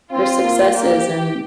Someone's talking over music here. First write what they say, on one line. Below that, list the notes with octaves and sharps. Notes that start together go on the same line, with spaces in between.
their successes, and
C4 F4
A#3
A#3 G4